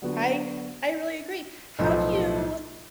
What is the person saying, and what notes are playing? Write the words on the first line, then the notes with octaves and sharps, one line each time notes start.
I I really agree, how do you
D3 F#3 B3 F#4
B1 A2 F3 A3